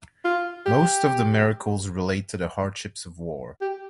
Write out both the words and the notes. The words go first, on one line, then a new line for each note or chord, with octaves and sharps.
Most of the miracles relate to the hardships of war.
F4
G4
G4